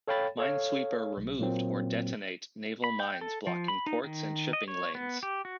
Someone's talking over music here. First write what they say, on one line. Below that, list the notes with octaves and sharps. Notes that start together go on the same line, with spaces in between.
Minesweeper removed or detonate naval mines blocking ports and shipping lanes.
A4 C#5 F5 G5 B5 A6
A4 C#5 F5
B1
A#2 F#3 A#3 C4
B5
G5
A4
F3
B5
D#4
D#3
D#5
C#5
B3
G4
F#4